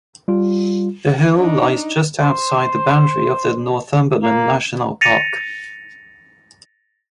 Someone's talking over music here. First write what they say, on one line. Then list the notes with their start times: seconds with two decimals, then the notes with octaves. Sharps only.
The hill lies just outside the boundary of the Northumberland National Park.
0.28 G3 F4
1.36 D4 D#4
2.20 C5
4.23 A#3
5.01 A6 A#6 C#7 D#7 F7